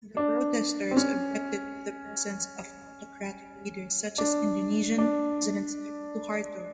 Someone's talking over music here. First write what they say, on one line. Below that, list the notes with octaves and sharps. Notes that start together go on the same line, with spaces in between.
The protesters objected to the presence of autocratic leaders such as Indonesian president Suharto.
D4
C4
C#4
D4
D4